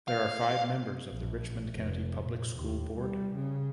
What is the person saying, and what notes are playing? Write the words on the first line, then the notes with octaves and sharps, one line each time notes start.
There are five members of the Richmond County Public School board.
F5
A#1
F1
A#2
D#2
G3
C#3